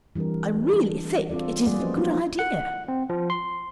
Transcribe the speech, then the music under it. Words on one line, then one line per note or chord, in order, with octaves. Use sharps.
'I really think it is a good idea.
E3 G3 C4 D4 A#4
D4 G#4
C4 F4 A4 D5
G3 A#3 G#4 D5 F#5
F3 C#4 F#4 B4 C5 D#5
F#3 B3 D4 D#4 F4 F#4
F#5
C4
F3
C6